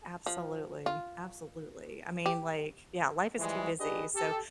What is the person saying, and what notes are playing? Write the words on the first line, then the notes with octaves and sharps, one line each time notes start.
Absolutely, absolutely, I mean, like, yeah, life is too busy, so
F3
F4
G4
E3 F3 G3 G#3
D4 G4 G#4 B4 D#5
G4 A4